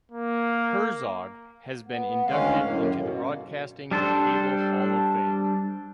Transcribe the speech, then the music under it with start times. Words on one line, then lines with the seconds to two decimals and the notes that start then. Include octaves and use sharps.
Herzog has been inducted into the Broadcasting and Cable Hall of Fame.
0.12 A#3
1.86 B3
2.27 D2 D#3 G#3 C#4 F5
2.62 F#2 A2 A#3
2.95 B2
3.91 G3 D4 A4 C5